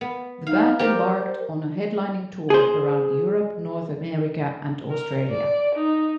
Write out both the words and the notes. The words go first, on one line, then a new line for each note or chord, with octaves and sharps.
The band embarked on a headlining tour around Europe, North America and Australia.
B3
D#4 F5
G4 A#4 C5 D5
G#4 C5
A#4
D5
D#4